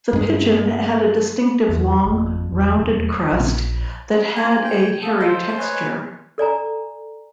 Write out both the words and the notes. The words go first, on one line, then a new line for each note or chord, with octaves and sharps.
The pigeon had a distinctive long, rounded crest that had a hairy texture.
G2 G#3
E2
G#1 F2
E2
E1 D#2 F#3 A3
A#1
F4 C5 G#5 A5
G5
A4 F5 D#6
C5 D#5 F5 G5
G#4 B4 C#5 D#5 G#5
A4 D5 G#5 A#5